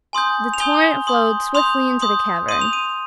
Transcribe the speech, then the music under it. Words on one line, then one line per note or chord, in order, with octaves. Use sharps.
The torrent flowed swiftly into the cavern.
G#5 C6 D#6 G6
F7
G#5 C6 D#6 G6 G7
C6 D#6 G6
C6 D#6 G6 F7
C6 D#6 G6
C6 D#6 G6 D#7
F7
D#7